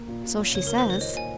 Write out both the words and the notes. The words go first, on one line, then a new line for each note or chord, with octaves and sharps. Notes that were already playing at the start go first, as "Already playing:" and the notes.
"So she says."
Already playing: A#3
A#2
A#2
C#4
C#2 C#5
A#3 A#4
C5
D#3 C#5
A#2 D#5
A#2 G#5